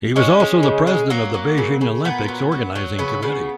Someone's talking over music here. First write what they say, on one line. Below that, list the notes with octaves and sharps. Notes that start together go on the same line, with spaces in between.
He was also the President of the Beijing Olympics Organizing Committee.
G#3 C#4
G#3
C#3
G#3
F#3 A#3
F#3
C#3
C#3
A#2 B3
F#3
F#3
F#3
C#3 B3
C#3